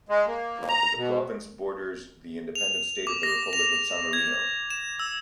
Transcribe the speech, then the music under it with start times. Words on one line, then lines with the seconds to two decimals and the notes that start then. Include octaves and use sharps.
The province borders the independent state of the Republic of San Marino.
0.09 G#3
0.27 A#3
0.68 A#5
0.96 B2
2.55 F7
3.07 D6
3.23 A#6
3.53 F7
4.13 G#6
4.70 E7
4.99 E6